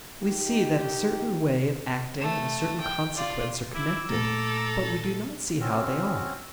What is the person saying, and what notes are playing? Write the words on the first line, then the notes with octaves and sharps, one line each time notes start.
We see that a certain way of acting and a certain consequence are connected, but we do not see how they are.
D#3 D#4 G4
A3
G5
F4 D5
E4 D6 E6
A#2 A3 A4 A#5
C4 C#4 F#4